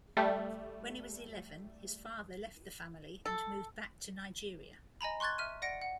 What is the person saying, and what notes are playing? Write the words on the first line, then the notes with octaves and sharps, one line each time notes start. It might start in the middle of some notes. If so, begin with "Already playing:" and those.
When he was eleven, his father left the family and moved back to Nigeria.
G3 A3
A4
D#5 G#5 A#5 B5
C6 C#6 F#6 G#6 A6
E5 F6 D#7
D5 F#5 A#6 C#7 D7
F#5